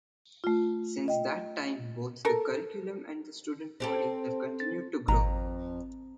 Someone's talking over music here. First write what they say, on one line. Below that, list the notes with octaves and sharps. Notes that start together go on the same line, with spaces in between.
Since that time, both the curriculum and the student body have continued to grow.
A3 F4
D#5 G5
A4 A#4
C4 G4 A4
A6
G#1 F2 A#5